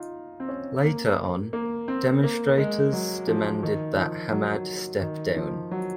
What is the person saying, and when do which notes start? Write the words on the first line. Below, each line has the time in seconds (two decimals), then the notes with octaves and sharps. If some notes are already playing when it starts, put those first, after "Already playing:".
Later on, demonstrators demanded that Hamad step down.
Already playing: D#4 F4
0.40 C4
0.48 C#4
0.84 A#3
1.53 A#3
1.88 C4
2.24 A#3
2.58 G#3
2.93 F#3
3.28 F3
3.63 D#3
3.97 F3
4.32 F#3
5.01 D#3
5.36 F3
5.71 F#3